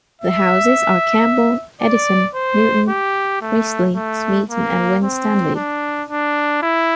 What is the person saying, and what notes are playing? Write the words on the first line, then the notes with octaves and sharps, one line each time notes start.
The houses are Campbell, Edison, Newton, Priestley, Smeaton and Winstanley.
E5
D5
C5
G4
A3
A3
A#3
C4
D4
D4
E4